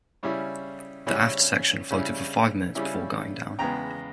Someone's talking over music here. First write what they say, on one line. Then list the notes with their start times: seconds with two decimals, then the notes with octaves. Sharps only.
The aft section floated for five minutes before going down.
0.23 C#3 G3 C#4 E4
1.06 C#3 G3 C#4 E4
1.90 C#3 G3 C#4 E4
2.75 C#3 G3 C#4 E4
3.59 E2 C#3 G#3 B3 G5 A#5